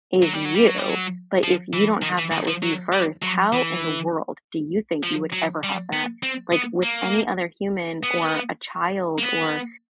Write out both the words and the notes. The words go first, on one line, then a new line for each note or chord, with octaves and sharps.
is you. But if you don't have that with you first, how in the world do you think you would ever have that like, with any other human or a child? Or,
F#3
G3
F#3
G3
F#3
G3
F#3
F3
E3
D#3
E3
D#3
F3
F#3
G3
F#3
E3
F3
F#3
G3
B3
C4
B3
A#3
B3
A#3
B3